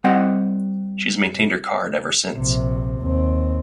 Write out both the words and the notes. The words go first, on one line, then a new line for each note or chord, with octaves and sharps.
She has maintained her card ever since.
G3 C4 D#5 F#5 G5
A#1 C3
D#2 C4